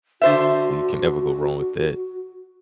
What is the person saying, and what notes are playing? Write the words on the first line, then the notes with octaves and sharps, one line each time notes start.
Well, you can never go wrong with that.
D3 F#4 C5 E5